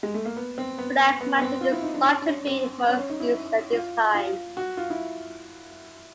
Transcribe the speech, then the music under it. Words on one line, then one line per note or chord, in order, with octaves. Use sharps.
Black magic is thought to be most used at this time.
G#3
A3
A#3
B3
C4
B3
B3
B3
C4
F4
E4
D#4
D4
C#4
D4
C#4
C4
C#4
C#4
D#4
E4
F4
F4
F#4
F4
E4